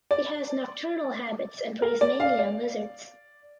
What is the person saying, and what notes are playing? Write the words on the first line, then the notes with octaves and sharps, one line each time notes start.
It has nocturnal habits and preys mainly on lizards.
D5
A#4
D5
F5
D5